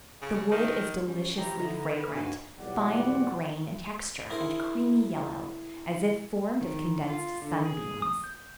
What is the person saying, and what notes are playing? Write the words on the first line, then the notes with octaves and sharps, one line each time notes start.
The wood is deliciously fragrant, fine in grain and texture and creamy yellow, as if formed of condensed sunbeams.
C#3
D#3
G3 C#4
E3 F3 E4 G4 A#5
D3 B3 D#4 E4 A#5
B4
G2 D4 D#4 F#4 G#5
B1 E2 G3 D5 F#5
D4 E4 G#4 A#4 C5
D#3
F4
D3
G#4
D#6
G6